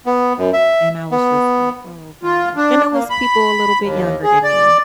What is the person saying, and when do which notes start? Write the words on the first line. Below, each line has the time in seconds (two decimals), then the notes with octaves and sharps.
and I was just like, "Oh gosh," and it was people a little bit younger than me
0.06 B3
0.38 F#2
0.53 E5
1.11 B3
2.23 F4
2.56 D4
2.93 A#3
3.10 B5
3.81 D#2
4.23 G#4
4.44 D5